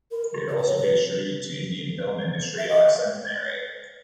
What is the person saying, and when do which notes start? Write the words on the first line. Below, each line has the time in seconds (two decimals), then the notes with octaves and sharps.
It also pays tribute to Indian film industry on its centenary.
0.11 A#4
0.48 A#4
0.58 B4
0.67 C#5
0.77 B4
2.58 E5
2.68 D#5